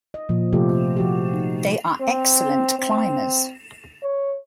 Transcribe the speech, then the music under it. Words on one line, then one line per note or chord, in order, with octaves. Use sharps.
They are excellent climbers.
D#5
A#2 F3
C3 F3 A3 F4 G4 A4
F3 F#4 G4
D#4
C4
C4
C#5